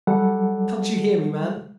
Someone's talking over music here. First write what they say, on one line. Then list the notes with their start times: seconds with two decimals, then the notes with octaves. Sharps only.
Can't you hear me, man?
0.07 F#3 G3 A4 F#5